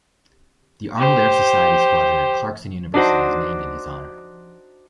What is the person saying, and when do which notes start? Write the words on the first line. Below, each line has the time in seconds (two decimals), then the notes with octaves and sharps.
The Arnold Air Society Squadron at Clarkson University is named in his honor.
0.98 G4 C5
2.94 D4 D#4 F#4 C5